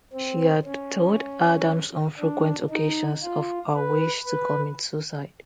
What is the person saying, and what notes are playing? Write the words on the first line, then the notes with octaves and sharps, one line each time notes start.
She had told Adams on frequent occasions of her wish to commit suicide.
C4
C#4
D4
D#4
F4
B4
B4